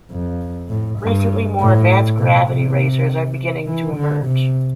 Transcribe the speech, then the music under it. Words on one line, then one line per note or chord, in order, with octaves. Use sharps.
Recently, more advanced Gravity racers are beginning to emerge.
F2
A2
G2
A2
B2
C3
E3
D3
C3